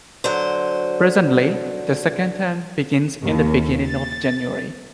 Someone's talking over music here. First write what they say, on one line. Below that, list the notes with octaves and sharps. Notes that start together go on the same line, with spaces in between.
Presently, the second term begins in the beginning of January.
D3 F#3 C5
D#2
A6